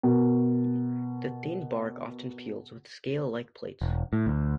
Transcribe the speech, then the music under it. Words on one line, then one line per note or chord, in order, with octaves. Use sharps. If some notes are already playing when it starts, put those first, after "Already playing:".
The thin bark often peels with scale-like plates.
B2 A#4
E1
A2
D2